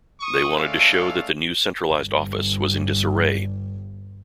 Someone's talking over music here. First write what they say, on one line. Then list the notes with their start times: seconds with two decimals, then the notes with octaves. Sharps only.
They wanted to show that the new centralized office was in disarray.
0.20 C#6 D#6
0.55 G#3 A3 C#4 A4 D5 F5
1.94 G1 G2